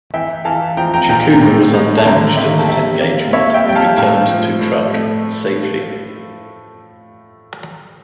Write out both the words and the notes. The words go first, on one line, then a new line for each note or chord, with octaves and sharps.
"Chikuma" was undamaged in this engagement, and returned to Truk safely.
E3 E5 G5
E3 F5 A5
F3 G5 A#5
G5 A#5
A#2 G5 A#5
A2
A2
A5
D3 G5 A#5
A#3 E5 G5
A#5
A5
G3 E5 G5
A#3
A#3 C#5 E5
E5 G5
G3 G5
F5 A5
A2 F5 A5
F3
A2
A3